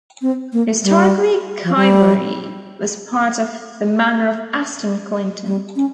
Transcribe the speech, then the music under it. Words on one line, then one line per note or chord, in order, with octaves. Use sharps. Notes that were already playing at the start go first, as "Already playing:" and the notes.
Historically Chivery was part of the manor of Aston Clinton.
C4
A#3
G3
F3
G3
G3
C#4